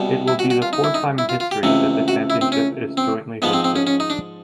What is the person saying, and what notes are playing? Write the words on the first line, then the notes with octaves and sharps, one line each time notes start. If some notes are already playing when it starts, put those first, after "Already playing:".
It will be fourth time in history that the championship is jointly hosted.
Already playing: C2 B2 G3
E4
F#4
F#4
F4
D#4
E4
D#4
E4
F4
F4
G4
C#2 C3 E3 A3
F#4
E4
C4
C#4
C4
G#2 F3 G#3 B3
C4
C4
C#4
C#4
D#4
D4